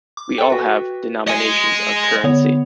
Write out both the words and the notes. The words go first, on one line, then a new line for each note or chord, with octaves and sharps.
We have all denominations of currency.
D6
A4 G5
F#4 B4
D#5 G#5 C#7
D3 B3 C#5